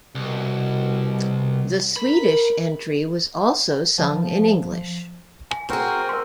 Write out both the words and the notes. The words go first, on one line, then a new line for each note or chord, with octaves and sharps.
The Swedish entry was also sung in English.
C2 B2
A#4 B5
F3
G#5
C4 F#4 G#4 A#4 C5
A#4 C6